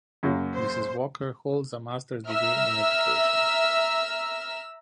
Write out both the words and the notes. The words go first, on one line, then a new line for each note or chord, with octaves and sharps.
Ms. Walker holds a master's degree in education.
F#2 C#3 A#3
C5
E5 A#5 E6 F6